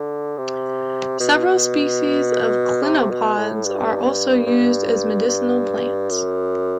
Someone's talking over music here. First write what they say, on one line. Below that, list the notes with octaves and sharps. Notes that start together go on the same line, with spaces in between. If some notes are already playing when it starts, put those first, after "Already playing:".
Several species of clinopods are also used as medicinal plants.
Already playing: D3
C3
B2
C3
B2
A2
G2
G2
G2
F#2